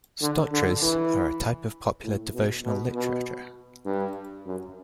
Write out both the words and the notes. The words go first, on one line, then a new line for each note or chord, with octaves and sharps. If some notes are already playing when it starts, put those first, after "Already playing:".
Stotras are a type of popular devotional literature.
D3
D3
E3
A2
B2
B2
B2
G2
F#2